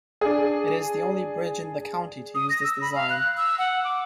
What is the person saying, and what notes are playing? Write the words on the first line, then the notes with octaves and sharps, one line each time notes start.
It is the only bridge in the county to use this design.
D4 G#4
D#6
A#6
E6
B5
F5
F#6
E6
F#5
D6